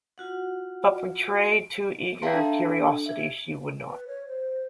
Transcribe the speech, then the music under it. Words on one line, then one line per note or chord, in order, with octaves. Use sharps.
But betray too eager curiosity she would not.
F4 F#4 F#5
E5 F5 G5 A5 A#5 C6
D4 A4
E5 G#6
B4
C#5
C5